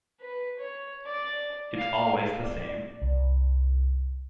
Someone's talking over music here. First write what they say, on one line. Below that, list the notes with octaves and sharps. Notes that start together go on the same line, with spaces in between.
It’s always the same.
B4
C#5
D5
F5
D5
C2